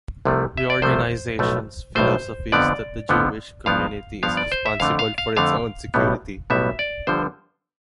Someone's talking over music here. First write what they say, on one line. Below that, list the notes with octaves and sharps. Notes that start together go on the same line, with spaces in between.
The organisation's philosophy is that the Jewish community is responsible for its own security.
C2 C3 F3 A3
E5
D5
C2 C3 F3 A3 C5
B1 A2 F3 A3
B1 A2 F3 A3 C5
F2 D3 F3 B3 D5
F2 D3 F3 B3
G2 F3 B3 F5
G2 F3 B3 F5
D5
C5
E5
F2 D3 A3 F5
F5
F5
F2 D3 A3 F5
B1 A2 G3 B3
B1 A2 G3 B3 E5
D5
G1 G2 D3 F3 C5